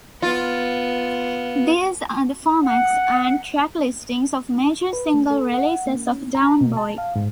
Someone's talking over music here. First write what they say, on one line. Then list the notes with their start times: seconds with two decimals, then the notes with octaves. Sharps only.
These are the formats and track listings of major single releases of "Down Boy".
0.22 B3 F4
2.64 F#5
4.93 B4
5.14 A3
5.31 A4
5.54 F#5
5.86 A#3
6.07 C#4
6.35 A#5
6.61 B2
6.77 A5
6.98 F5
7.16 G#2